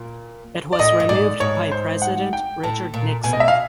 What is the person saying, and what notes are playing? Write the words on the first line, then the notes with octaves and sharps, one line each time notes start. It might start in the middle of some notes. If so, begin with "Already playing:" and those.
It was removed by President Richard Nixon.
Already playing: A#2
D5
A2 D#5
G2
G#2 D5
G#2 C#5
C5
F#5
G5
A2 A5
A#2
B2 G#5
D#5
E5
F5